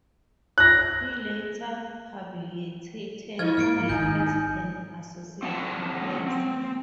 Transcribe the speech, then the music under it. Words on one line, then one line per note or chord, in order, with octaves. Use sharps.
He later habilitated there as an associate professor.
F#6 A#6
F3 E4 D#5 C#6 F6 G#6 A6
G#2 A#3 F6 C#7 D7
G#1 D#4 G#5 G6
C4 C#4 F#5 A5
C4